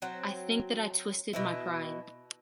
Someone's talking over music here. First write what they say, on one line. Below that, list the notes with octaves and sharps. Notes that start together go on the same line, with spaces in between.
I think that I twisted my pride.
F#3 C4
B2 E3 E4